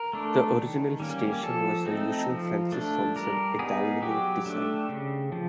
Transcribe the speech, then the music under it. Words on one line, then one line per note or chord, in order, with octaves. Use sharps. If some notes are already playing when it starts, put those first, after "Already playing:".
The original station was the usual Francis Thompson Italianate design.
Already playing: A#4
A3 D4
D#3
G3 A#3 C#4
F3 A4
A3 C4 D#4
F3
A3 D4
G3 A#4
B3 D#4 G#4
F#3 G4
A3 D4
C#3
F3